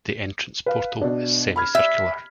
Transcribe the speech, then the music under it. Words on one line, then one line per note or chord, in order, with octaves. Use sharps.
The entrance portal is semicircular.
B4 F5
B2 D4
B5 F6 G#6
E5